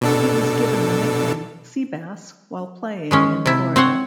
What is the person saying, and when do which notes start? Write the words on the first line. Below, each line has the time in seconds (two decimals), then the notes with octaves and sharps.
He was given the nickname "Sea-bass" while playing in Florida.
0.01 B2 D4 A4
3.11 D#3 G#3 C#4
3.46 C3 E4
3.76 C4 C5 C#5 F#5